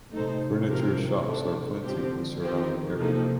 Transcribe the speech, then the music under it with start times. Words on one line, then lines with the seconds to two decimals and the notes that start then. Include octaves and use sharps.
Furniture shops are plenty in the surrounding area.
0.13 C3 A3 D#4 A4 C5
0.69 F3 C4 G4 A#4
1.26 A3 D4 A4
1.83 D3 F3 C4 G4
2.40 D#3 F3 C4 G4
2.97 C3 F3 A#3 D#4 A4